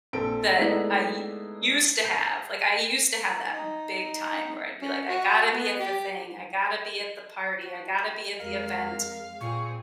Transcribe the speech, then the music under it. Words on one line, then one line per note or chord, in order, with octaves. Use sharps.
that I u used to have, like, I used to have that big time where I'd be like, "I gotta be at the thing, I gotta be at the party, I gotta be at the event."
A#1 C4 A4 D7
G#3 A3 B3 D#4 E4 D5
G6 B6 C7
D#4
C#4
F#4
B3
G4
F#4
F2 G#3 A#4 F5
A#2 C4 G#4 C#6